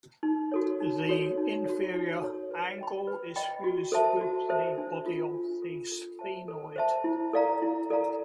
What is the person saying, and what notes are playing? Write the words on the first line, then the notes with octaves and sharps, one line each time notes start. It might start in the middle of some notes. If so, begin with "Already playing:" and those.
The inferior angle is fused with the body of the sphenoid.
D#4
F#4 A4 C#5
D#4
F#4 A4 C#5
D#4
F#4 A4 C#5
D#4
F#4 A4 C#5
B4
D#5 G5 B5
B4
D#5 G5 B5
F#4
A4 C5 E5 A5
F#4
A4 C5 E5 A5
D4
F4 A4
D4
F4 A4
A4
C5 E5 A5
A4
C5 E5 A5
E4
A4 D5 F5 A#5
E4
A4 D5 F5 A#5